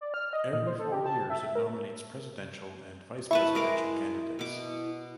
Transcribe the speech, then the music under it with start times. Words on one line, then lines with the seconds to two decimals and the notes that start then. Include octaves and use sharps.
Every four years it nominates presidential and vice presidential candidates.
0.01 D5
0.14 F6
0.33 D#5
0.53 A#2
0.67 C5
0.79 A4
0.92 G4
1.06 A5
1.18 A5
1.30 E5
1.41 E5
1.55 A#4
3.31 E4 B4 A5 C#6
3.55 G#3 A#4 D6
4.39 B2 D6